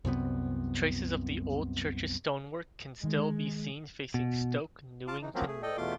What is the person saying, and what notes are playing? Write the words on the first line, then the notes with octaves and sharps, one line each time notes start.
Traces of the old church's stonework can still be seen facing Stoke Newington Road.
C2 F#2 C3 B3
D#3 G#3
B2
F4 F5 A5 D6
E3 D#4
F3 F#3 A#3 C4 C#4
A3 G#4
A4 D5 D#5 G5
E2 B2 A3 F4 C6 D6